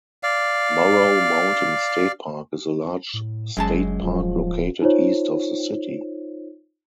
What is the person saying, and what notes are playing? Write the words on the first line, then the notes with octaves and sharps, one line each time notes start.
Morrow Mountain State Park is a large state park located east of the city.
D5 F5
A2
F#1 F#2 G#3 A5
D1 F3
D#4 F4 C5 C#5